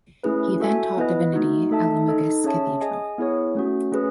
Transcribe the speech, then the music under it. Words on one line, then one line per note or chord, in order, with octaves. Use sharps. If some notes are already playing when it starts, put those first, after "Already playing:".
He then taught divinity at Limoges Cathedral.
A3 C#4 E4 G#4 B4
F#4 A4 E5 G#5
B3 E4 B4 D#5
A3 D#4 F#4
A3 D#4 A4 E5 A5
D#4 A4 D#5
C#4 G#4 C#5 E5 A5
G#4 D#5 G#5
B3 E4 G#4 C#5
A3 C#4 F#4
A3 C#4 G#4 B4